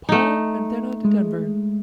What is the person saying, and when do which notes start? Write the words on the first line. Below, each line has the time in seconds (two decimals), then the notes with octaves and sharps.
Paul and then on to Denver.
0.09 A3 D#4
1.05 G#3